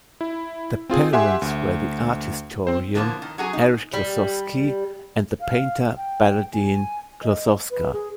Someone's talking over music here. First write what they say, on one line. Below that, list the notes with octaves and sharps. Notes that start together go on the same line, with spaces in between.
Their parents were the art historian Erich Klossowski and the painter Baladine Klossowska.
E4
C4 F4 G#4
G4 E5 F#5 G#5 C6
D2
C4 C5
D3 E3 F3 A#3
D#3
F#3 F#4 G#4
D#4
G3
F5
G5
G#5
D#5
B4
G#4